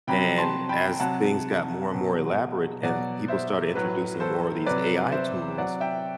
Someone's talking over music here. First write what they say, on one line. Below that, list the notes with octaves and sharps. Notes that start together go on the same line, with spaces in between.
And as things got more and more elaborate and people started introducing more of these AI tools,
C3 F#3 G5 B5
A5 C6
G5 B5
C3 F#3 F#5 A5
B2 F#3
B2 F#3 D5 F#5
C5 E5
A2 F#3 B4
A4 C5
C3 F#3 B4 D5
C5 E5
C3 F#3 D5 F#5
E5 G5